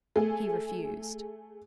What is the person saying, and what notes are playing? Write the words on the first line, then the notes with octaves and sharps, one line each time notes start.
He refused.
A3 G#4